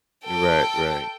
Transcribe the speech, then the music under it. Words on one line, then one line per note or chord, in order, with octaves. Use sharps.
Right, right.
A4 G5